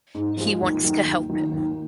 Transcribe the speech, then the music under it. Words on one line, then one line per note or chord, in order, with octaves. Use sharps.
He wants to help him.
G#2
F3 G#3
D#2
D#3 F#3
D#2
D#3 F#3
D#2